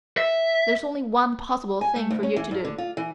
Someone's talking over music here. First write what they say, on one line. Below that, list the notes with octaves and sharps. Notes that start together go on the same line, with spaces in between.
There's only one possible thing for you to do.
E5
G#5
A3
D2
C#4
E3
G2
D3
F4
E3